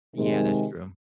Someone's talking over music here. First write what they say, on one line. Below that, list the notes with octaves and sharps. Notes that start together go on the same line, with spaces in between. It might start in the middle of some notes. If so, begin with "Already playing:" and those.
Yeah, that's true.
C3 D#3 G#3